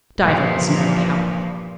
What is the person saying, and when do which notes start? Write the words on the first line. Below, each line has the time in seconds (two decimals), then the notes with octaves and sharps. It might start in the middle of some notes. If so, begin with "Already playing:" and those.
Diva was no coward.
0.22 G2 A#2 E3 F3